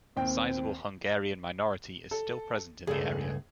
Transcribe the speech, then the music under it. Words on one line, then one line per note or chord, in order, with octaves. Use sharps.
Sizable Hungarian minority is still present in the area.
D#2 C4 G5
A4
C#2 G2 A3 G#4